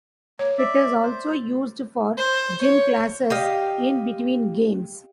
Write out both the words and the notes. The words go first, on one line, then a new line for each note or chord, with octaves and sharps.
It is also used for gym classes in between games.
A#3 C#5
D5 E5
C5
C5
C#5
G4 D#5 F5